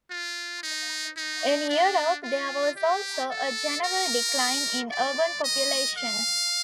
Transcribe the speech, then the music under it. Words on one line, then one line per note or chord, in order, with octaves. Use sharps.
In Europe there was also a general decline in urban populations.
F4
D#4
D#4
D4
F4
G4
A4
A#4
D5
D#5
F5